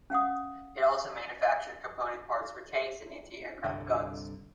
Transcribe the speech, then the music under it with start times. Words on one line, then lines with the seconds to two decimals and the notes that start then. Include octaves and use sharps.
It also manufactured component parts for tanks and anti-aircraft guns.
0.10 C#4 F5 F#5 D#6
3.64 C2 G2 D3